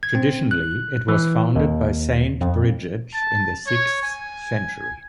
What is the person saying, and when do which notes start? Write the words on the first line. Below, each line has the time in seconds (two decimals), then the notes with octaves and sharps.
Traditionally, it was founded by Saint Bridget in the sixth century.
0.03 G#6
0.15 C4
0.51 F#6
1.08 E3
1.55 D#2
2.41 F2
3.13 A5
3.67 C#5
4.03 G#5